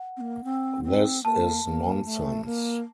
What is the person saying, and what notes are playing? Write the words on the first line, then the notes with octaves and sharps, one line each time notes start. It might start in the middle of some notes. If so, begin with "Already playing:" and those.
This is nonsense.
Already playing: F#5
C4
A#3
C4
C4
A#3 A5
A#3
A3
A#3